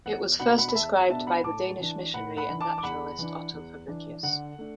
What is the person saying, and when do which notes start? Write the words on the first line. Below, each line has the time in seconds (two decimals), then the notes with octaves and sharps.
It was first described by the Danish missionary and naturalist Otto Fabricius.
0.06 E2 F#5
0.39 B2 B3 D4 F#5 B5
0.58 F#5 B5
0.68 B5
0.75 E2 E5 A5
1.09 B2 B3 D4 E5 A5
1.27 F#5 B5
1.44 A2 A5 D6
1.79 E3 D4
2.14 A2 F#5 B5
2.37 F#5 B5
2.49 E3 D4
2.61 A5 D6
2.78 D6
2.83 E2 F#5 B5
3.18 E3 D4
3.53 E2
3.88 E3 D4
4.23 D3 F#5
4.58 A3 D4